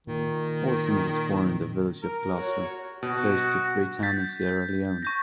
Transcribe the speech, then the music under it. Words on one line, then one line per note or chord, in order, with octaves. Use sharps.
Horton was born in the village of Gloucester, close to Freetown in Sierra Leone.
A#2 D#3
A#4
F#4 C#5
B2 F#4
G6 A6 B6
C#6 G6 A#6